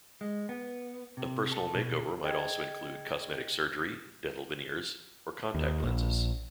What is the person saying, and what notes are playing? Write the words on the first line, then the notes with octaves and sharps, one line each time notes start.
A personal makeover might also include cosmetic surgery, dental veneers, or contact lenses.
G#3
B3
C3
A4
B2
G#4 D#5 G5 G#6
D#2
A#1